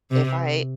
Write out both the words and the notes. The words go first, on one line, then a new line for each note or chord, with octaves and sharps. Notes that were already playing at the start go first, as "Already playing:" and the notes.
if I
C3